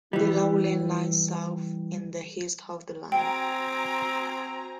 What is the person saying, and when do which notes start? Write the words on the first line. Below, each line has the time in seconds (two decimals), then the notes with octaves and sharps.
The Lowlands lie south and east of the line.
0.13 E3 G3
3.12 C4 F#4 G5 G#5 A#5